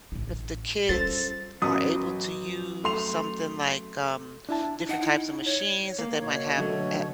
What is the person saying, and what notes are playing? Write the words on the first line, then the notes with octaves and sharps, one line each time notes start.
if the kids are able to use something, like, um, different types of machines that they might have at
A1 E4
G3 C#4 F4 A4 C5 A6
A1 F#3 B3 F#4 A#4 D#6
A3 C6 F7
D4 E4 A5
D#4 F#5
E4
C#5
A#3
B2 C#5
D3 F#3 A3